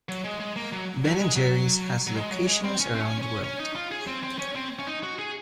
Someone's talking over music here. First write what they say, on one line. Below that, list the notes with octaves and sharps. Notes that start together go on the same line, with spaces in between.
Ben and Jerry's has locations around the world.
F#3
G#3
G#3
A#3
F#3
F#3
G#3
F#3
F#3
G#3
F#3
G#3
C4
C#4
C4
C#4
C#4
C#4
D#4
F4
G#4
C4
C4
C#4
C4
C#4
D#4
F#4
G#4